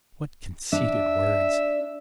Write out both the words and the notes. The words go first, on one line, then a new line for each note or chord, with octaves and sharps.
What conceited words!
D4 E5